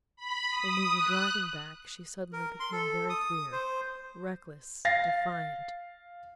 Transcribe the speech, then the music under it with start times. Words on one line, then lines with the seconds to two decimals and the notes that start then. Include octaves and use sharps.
When we were driving back she suddenly became very queer--reckless, defiant....
0.16 B5
0.50 D#6
0.96 F#6
2.33 A#4
2.60 C6
2.72 A4
3.09 D#6
3.52 C5
4.85 F5 A6 A#6 C7